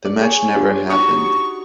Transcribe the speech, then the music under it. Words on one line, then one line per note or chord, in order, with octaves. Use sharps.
The match never happened.
D5
G#4 C#5
D4 F4 G4
D#4 F#4 C#6 D#6